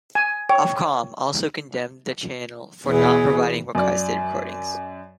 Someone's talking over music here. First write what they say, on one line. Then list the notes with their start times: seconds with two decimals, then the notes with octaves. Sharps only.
Ofcom also condemned the channel for not providing requested recordings.
0.15 G#5
0.49 C#5 G5
2.86 E2 B2 E3 G#4
3.75 F#2 D5